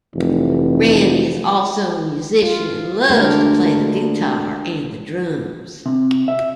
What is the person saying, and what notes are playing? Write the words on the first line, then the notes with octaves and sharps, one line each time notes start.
Randy is also a musician and loves to play the guitar and the drums.
F1 E3
F4
D2 G#3 D4 A#4
C3
E5